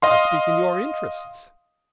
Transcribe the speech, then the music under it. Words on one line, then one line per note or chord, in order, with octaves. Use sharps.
I speak in your interests.
D#5 F5 C6